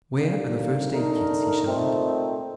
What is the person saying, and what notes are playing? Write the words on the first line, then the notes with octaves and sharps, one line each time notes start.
"Where are the first-aid kits?" he shouted.
D#2 D3 G3 A#3
D3 A3 D#4 A#4
A#2 A3 C4 D#4